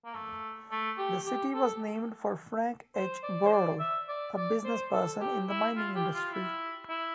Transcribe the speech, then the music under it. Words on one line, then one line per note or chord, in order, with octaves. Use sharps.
The city was named for Frank H. Buhl, a businessperson in the mining industry.
A#3
A3
A3
G4
G4
A4
C5
D5
C5
D5
E5
D5
D5
C5
A4
G4
E4
F4
G4
F4
E4
E4